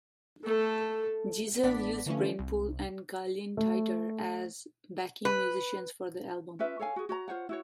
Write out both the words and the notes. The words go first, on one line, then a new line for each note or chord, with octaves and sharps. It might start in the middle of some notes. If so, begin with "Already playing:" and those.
Gessle used Brainpool and Gyllene Tider as backing musicians for the album.
A3 A4
A1 B3 D4 D5 B6
D3 E3 F3 A3 C#4
C2
A3
B4
C#4 F4 B4 E5
A4 C#5 F5 G#5
F#4 G#4
F#4 C#5 A#5
F4 C5 C#5 F#5
E4 F#4 C#5